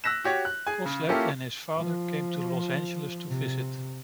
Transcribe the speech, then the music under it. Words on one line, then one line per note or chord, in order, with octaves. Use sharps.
Coslet and his father came to Los Angeles to visit.
E6 F#6 A#6 B6 E7
F#4 G4 C#5
F#6
G#4 G#5
C#3
A#3 C#4 E4 F4 G4 A4
F3
C3